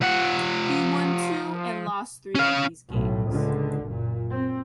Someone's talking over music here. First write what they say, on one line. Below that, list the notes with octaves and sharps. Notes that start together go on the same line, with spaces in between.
He won two and lost three of these games.
F3 F#5
C#4 F5
B1 A2
C#2 D3
F#1 A#2
C4